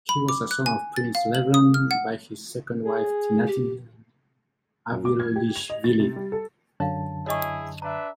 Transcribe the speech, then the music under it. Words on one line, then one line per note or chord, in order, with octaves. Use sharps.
He was a son of Prince Levan by his second wife, Tinatin Avalishvili.
B5
D6
F#6
G#5
A6
F5
F#7
D#6
F6
F#5
G#4
G4
F#2
D6
G#6
G4
F7
D#5
A6
C3
G3
A4
F#2 D3 C#5 F5 A5
E4 G#4 C#5 D#5 C#6
D4 B4 E5 A#5